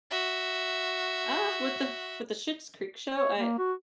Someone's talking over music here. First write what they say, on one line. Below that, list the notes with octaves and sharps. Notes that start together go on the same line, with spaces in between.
Uh, with the f with the Schitt's Creek show, I
F#4 E5
C#5
A#3
F#4